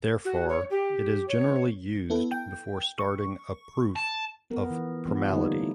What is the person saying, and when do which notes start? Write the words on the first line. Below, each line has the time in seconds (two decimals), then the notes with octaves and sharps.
Therefore, it is generally used before starting a proof of primality.
0.24 F#4
0.48 C#5
0.70 G4
1.27 C#5
2.10 B3 E4 A4
2.31 G5
2.99 C#6
3.96 A5
4.50 F3 B3 A#4
4.70 E3
5.07 E3 F3 G3 B3 D4
5.31 D3 G3 A3 A#3 D#4 C#5
5.60 E4